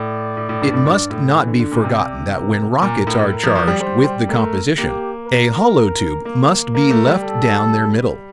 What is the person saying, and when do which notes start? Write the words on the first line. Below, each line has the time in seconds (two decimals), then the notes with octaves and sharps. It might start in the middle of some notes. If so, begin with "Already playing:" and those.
It must not be forgotten that when rockets are charged with the composition, a hollow tube must be left down their middle.
Already playing: A2 D5
0.37 A2
0.49 A2
0.62 G2
0.74 A2
0.86 G2
1.10 A2
1.35 E3
1.48 D3
1.59 D3
1.72 A#2
1.84 C3 D5
2.33 A#4
2.82 A#2 A#4
3.07 A2
3.19 A2
3.31 A#4
3.43 F3
3.55 F3
3.68 G3
3.80 G3 C5
4.04 G3
4.28 A3 A#4
4.78 A#3 G4
5.27 A#4
6.25 A#3
6.74 A#3 A#4
6.90 A3
7.07 G3
7.23 A4